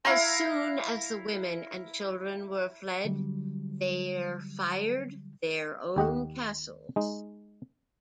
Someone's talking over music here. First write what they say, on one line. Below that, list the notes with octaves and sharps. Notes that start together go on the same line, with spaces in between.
As soon as the women and children were fled, their fired their own Castles.
E4 F5 A#5
D3 F#3 G3
D#2 G4 D#5 F#5
G#3 D#4